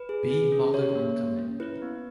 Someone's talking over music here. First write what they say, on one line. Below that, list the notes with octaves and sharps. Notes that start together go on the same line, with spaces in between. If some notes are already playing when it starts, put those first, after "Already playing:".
B. Mallard in command.
Already playing: B4
G#4
G#4
C#4
G4 C#5
A#3
A#3
C#4
E4 B4
B3